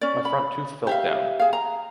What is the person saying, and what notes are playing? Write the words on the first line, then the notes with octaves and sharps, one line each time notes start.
My front tooth felt down.
C#4 D5
B5
G4 E5 F5
G#4 F5
A#5